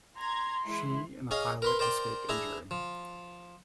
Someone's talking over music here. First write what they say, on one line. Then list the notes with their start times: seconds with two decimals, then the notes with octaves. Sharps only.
She and the pilot escaped injury.
0.18 A#5 C6 G#6
0.65 E3 G#3 E4
1.31 C#4 G#4 D#5 F5 G#5
1.62 A#4 B4 C6
1.79 A#4 C5 D5 G5
2.29 D4 E4 G#4 A#5
2.71 F3